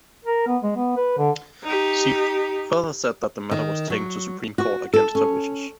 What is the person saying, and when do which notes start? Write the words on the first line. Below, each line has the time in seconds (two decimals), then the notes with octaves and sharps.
She further said that the matter was taken to Supreme Court against her wishes.
0.25 A#4
0.47 B3
0.63 G#3
0.76 B3
0.97 B4
1.18 D3
1.64 D#4 G4
3.51 D#3
3.90 F#3
4.58 F#4
4.93 A4
5.15 C#4